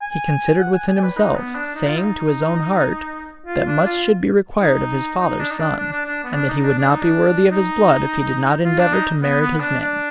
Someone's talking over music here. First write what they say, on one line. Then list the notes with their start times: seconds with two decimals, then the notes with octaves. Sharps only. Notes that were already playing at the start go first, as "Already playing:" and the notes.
He considered within himself, saying to his own heart, that much should be required of his father's son, and that he would not be worthy of his blood if he did not endeavour to merit his name.
0.02 G#5
0.59 F#5
0.74 G#5
0.88 G#5
0.98 D5
1.03 B4
1.17 D#4
1.35 B3
1.55 D4
1.75 D#4
1.86 F4
1.97 D#4
3.46 F4
3.67 D4
3.85 F4
4.62 D#4
5.20 D#4
5.39 D4
5.50 D#4
5.58 D4
5.78 D4
5.92 D4
6.06 D4
6.24 B3
6.34 D4
6.49 D#4
6.64 D4
6.78 D4
6.89 D#4
7.01 D4
7.50 D#4
8.65 F4
8.79 D4
8.93 D#4
9.22 B3
9.41 B3
9.54 B3
9.60 D4
9.80 D4